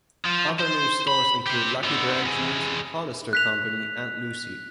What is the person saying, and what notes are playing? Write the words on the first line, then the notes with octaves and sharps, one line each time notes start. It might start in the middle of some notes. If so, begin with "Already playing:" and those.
Other new stores include Lucky Brand Jeans, Hollister Company and Lucy.
F3
C5
B5
G4 C5
D3 B3
E3 G#3
F#6 B6 F7